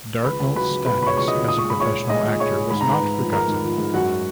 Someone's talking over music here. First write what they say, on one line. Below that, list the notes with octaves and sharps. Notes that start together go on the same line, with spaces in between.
Dartnell's status as a professional actor was not forgotten.
C#2 B4 B5
C#2
F#3 B4 B5
C#2
B2 B4 B5
C#2 C#5 B5 C#6
C#2 C#6
D#5 D#6
C#2
A#2 D#6
G#3 C#6
B5
A#2 C#5 C#6
A#2
G#3 D#5 D#6
A#2
G#3 C#5 C#6
G#3
G#2 B5
A#5
G#2 B4 B5
G#2
F3
G#2 A#4 A#5
G#2
F3
G#2
F#2 F#4 F#5